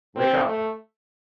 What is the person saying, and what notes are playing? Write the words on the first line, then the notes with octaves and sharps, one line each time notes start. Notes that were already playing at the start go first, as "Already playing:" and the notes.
Wake up!
C4
A3